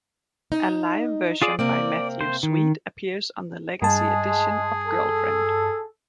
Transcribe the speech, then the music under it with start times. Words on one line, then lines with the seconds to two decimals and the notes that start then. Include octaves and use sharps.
A live version by Matthew Sweet appears on the Legacy edition of Girlfriend.
0.52 D#4
1.42 F4 G#4 D5
1.59 C3 A#3 C4 D5
2.21 C5
2.43 D#3
3.82 G2 G#3 G#4 A5
4.87 A4